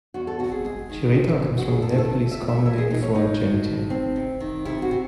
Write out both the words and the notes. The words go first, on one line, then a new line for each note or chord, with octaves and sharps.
"Chirita" comes from a Nepalese common name for a gentian.
E2 F#4
A4
C3 F#4
G#4
G#3 G#4
D#3
C4
F#2
F#4
F#2 G#4
A4
D#3
A4
A3
E5
A3
E5
E3 E5
G#4
E3 D#4
C#4
A2 D#4
F#3
A2
C4
C3
D#3
C3 E4
F#4
C3